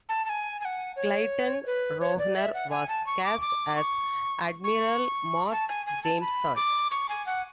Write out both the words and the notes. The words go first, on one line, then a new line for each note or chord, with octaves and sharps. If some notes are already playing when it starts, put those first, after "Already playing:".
Clayton Rohner was cast as Admiral Mark Jameson.
A5
A5
G#5
G#5
F#5
C#5
B4
C#5
D5
E5
F#5
G#5
A5
C#6
D6
D6
C#6
C#6
A5
G#5
G#5
A5
B5
D6
C#6
G#5
F#5